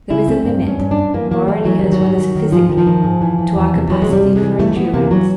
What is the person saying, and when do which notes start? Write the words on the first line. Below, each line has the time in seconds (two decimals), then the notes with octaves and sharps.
There is a limit, morally as well as physically, to our capacity for endurance.
0.10 C#3 E4
0.27 D2 C4
0.45 G2 C4
0.62 G2
0.68 C#4
0.79 G2 C#4
0.91 D4
0.97 G2
1.14 E3 A#3
1.31 E3 A#3
1.48 E3 A3
1.65 E3 F#3
1.79 D#3 G3
1.92 F#3
2.00 G#2
2.17 D#3
2.35 D#3
2.52 G#2 F3
2.69 D#3
2.77 F3
2.87 D#3
3.04 G#2
3.21 E3
3.38 E3
3.55 E2
3.73 C3
3.90 E3 F#3
4.02 G#3
4.08 C3
4.13 G3
4.24 C3
4.36 G#3
4.42 E3
4.59 E3 A3
4.76 E3 B3
4.94 C3 A#3
5.10 E3 F#3